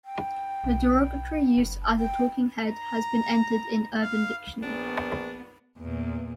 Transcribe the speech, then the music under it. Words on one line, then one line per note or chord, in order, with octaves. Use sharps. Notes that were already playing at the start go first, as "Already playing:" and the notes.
The derogatory use as a "talking head" has been entered in Urban Dictionary.
G5
B1
F#1
G5
A#5
F5
A#1 B3 D4
E2 A#2